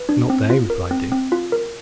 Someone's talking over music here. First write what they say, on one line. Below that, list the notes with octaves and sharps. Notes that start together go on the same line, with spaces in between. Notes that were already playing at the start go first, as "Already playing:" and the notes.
"Not they," replied Dick.
Already playing: B4
D4
C4
F4
A#4
C4
C4
F4
A#4